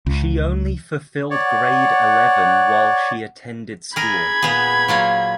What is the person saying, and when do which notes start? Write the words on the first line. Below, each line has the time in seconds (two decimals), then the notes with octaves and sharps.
She only fulfilled grade eleven while she attended school.
0.06 C#2
1.31 C#5 D5 F#5
3.96 G#4 A#4 G#5 B5 G#6
4.42 A#2 B3 G#4
4.88 F#3 A#3 F4